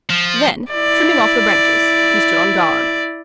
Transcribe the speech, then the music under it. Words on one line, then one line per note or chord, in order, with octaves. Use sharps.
Then, trimming off the branches, he stood on guard.
F3
E4 D5